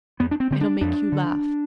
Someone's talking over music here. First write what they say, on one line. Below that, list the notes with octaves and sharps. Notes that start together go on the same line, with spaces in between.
It'll make you laugh.
F2 B3
D4
C4
D3 C4
D4
F2 D4
D3